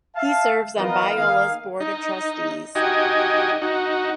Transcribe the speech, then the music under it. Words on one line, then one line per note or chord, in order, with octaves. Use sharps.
He serves on Biola's Board of Trustees.
E5 F5 A5
E3 B3 D#4 F4 A#4 D#5
D#3 A#3 G#4 F5
D#4
D#4 F#4 G4 D#5 G#5
D#4 F#4